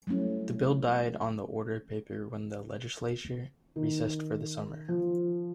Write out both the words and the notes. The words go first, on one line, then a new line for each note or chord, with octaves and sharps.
The bill died on the order paper when the legislature recessed for the summer.
F#3 G3 A3 C#4 E4
D#3
F3